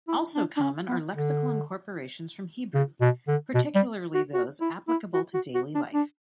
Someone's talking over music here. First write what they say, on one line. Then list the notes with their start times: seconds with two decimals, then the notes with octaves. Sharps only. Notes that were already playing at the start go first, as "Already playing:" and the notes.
Also common are lexical incorporations from Hebrew, particularly those applicable to daily life.
0.08 E4
0.35 D4
0.57 D4
0.62 C#4
0.88 B3
1.15 D3
2.75 C#3
3.01 B2
3.28 D3
3.55 B2
3.75 G3
4.15 F#4
4.34 F#4
4.61 E4
4.88 E4
5.14 F#4
5.34 F#4
5.55 F#4
5.75 D4
5.94 D4